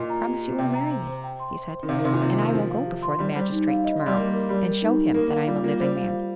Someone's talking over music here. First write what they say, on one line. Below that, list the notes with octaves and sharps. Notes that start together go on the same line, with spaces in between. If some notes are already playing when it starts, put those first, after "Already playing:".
"Promise you will marry me," he said, "and I will go before the magistrate to-morrow, and show him that I am a living man."
Already playing: A#2 D#5
A#5
G4
G4
C3 G5
A#5
C5
C5
G5
C6
C5
C5
D#3
C3 F5
D#3
C3 C6
A#2
C3 A#4
D#3 A#4
F3 C5
F5
G4
C6
G3 G4
G3 C5
D#4
F5
D#5
C6
G3
A#3 A#4
A#4
G3 G4
A#4
D#4
D#4
A#3 A#4
F5
G3 F4
A#3 F4
G3 C5
F5
F4